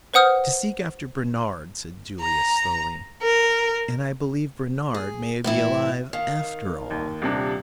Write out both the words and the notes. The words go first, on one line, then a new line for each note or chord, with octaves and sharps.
"To seek after Bernard," said Julius, slowly, "and I believe Bernard may be alive after all."
B4 C5 F#5 D#6 F6 G6
A#5
A#4
G#4
A2 E3 E4
D#3 F5
D#2
D#1 C3 D4